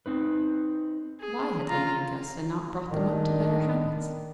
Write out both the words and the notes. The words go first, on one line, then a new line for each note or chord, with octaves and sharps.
Why had Lady Augusta not brought them up to better habits?
C4 D#4 B4
G#4
F4 A#5
D#3 D4